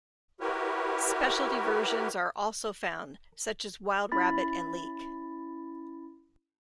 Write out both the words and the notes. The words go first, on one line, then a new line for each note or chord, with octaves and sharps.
Specialty versions are also found, such as wild rabbit and leek.
E4 F#4 G4 A#4 B4 C#5
C#4 E4 B5 A6